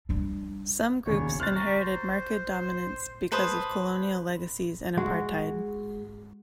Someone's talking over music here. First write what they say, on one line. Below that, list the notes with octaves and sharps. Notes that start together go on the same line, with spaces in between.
Some groups inherited market dominance because of colonial legacies and apartheid.
G3 D4
E1 D#2 C#3 C#5
C5 F6 F#6 A6
A#5 C#6
C5
B4 C5 A5 D#6
G#3 F#4